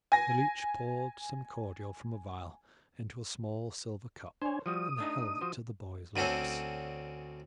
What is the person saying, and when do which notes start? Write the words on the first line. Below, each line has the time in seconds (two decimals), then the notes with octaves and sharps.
The leech poured some cordial from a vial into a small silver cup and held it to the boy's lips.
0.12 G#5 A#6
4.42 D4 C5 C#5 G#5
4.66 F3 G3 F#4 D#6
4.98 A3 D4 D#4
5.41 F3 F#4 C5
6.16 D2 D3 C4 C#4 A4